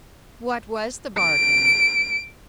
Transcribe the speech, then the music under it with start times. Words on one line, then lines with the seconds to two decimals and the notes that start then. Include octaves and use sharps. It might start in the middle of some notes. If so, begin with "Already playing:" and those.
"What was the bargain?"
1.18 D7